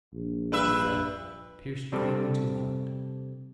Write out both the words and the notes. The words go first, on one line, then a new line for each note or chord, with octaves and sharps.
It fell, pierced cleanly to the heart.
A#1
G2 B4 E5
C3 G3 C4 D4 G4 A4